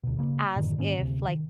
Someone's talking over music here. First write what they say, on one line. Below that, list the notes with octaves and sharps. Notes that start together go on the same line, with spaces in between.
as if, like,
D2 B2
C#3 A#3
F#2 A2 D3 D#3
G#2 D#3 A#3 C#4
D2 C3
D#3